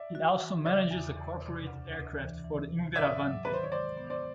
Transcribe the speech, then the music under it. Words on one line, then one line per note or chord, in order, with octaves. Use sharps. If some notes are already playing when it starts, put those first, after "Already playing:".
It also manages a corporate aircraft for Inveravante.
Already playing: D5 E5
F#4
E3
C#3 D5 E5
E2
E2
C3
D2
D2
E3
E3
C3
G#2 D5 E5
F#3
D#3 B4
C5
C#5
G#3 C5 D5
B3
C5 D5